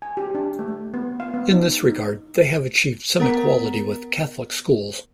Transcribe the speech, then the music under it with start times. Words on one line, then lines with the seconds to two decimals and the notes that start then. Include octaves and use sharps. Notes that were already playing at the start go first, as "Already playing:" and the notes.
In this regard they have achieved some equality with Catholic schools.
0.02 G#5
0.17 G4
0.35 D4
0.59 A3
0.94 B3
1.20 F5
1.34 B3
1.51 D#4
1.89 D#4
3.20 B3 A#4 F#5 A#5 B6